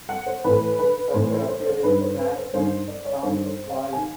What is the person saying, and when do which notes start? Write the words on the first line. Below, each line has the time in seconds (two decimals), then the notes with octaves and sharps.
He first appeared in "Grand Slam Comics" Vol.
0.09 F#5
0.26 C5
0.44 A2 E3 B4
0.79 B4
1.14 A2 E3 C5
1.31 C5
1.48 C5
1.66 C5
1.83 G2 D#3 B4
2.01 C5
2.18 B4
2.36 C5
2.53 G2 D#3 C5
2.88 D5
3.05 C#5
3.23 G2 D#3 C5
3.46 C5
3.69 F5
3.93 D#3 G#5